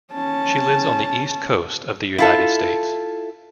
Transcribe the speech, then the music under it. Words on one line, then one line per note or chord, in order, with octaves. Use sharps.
She lives on the East Coast of the United States.
C#4 A5
E4 F4 A4